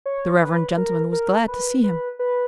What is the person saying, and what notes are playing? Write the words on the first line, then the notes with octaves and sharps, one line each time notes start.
The reverend gentleman was glad to see him.
C#5
B4
A#4
A#4
B4
B4
B4